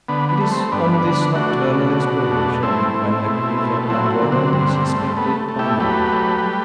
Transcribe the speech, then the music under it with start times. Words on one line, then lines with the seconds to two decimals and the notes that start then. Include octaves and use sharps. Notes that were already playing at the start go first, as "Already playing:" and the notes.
It is on this nocturnal exploration, when the cliff at Llangorren is inspected by lamplight.
0.09 D3 B3
0.29 B3
0.41 A3
0.51 C4
0.72 G2 B3 D4
1.04 D3
1.35 A3 D4 F#4
1.67 B2
1.99 B2
2.31 A3
2.63 A3 C4 E4
2.94 A3
3.26 B2
3.58 A3
3.89 F#3 C4 E4
4.10 C4
4.22 D3
4.32 C4
4.53 G2 C4
4.85 A3
5.17 A3 B3
5.49 A3
5.59 E4 G4
5.80 F#3 G4 B4
6.12 A3
6.44 G3